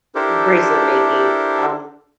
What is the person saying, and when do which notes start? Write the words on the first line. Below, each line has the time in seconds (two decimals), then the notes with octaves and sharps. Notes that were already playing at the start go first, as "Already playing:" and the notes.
bracelet making. Um,
0.15 D4 E4 G4 A4 A#4 C5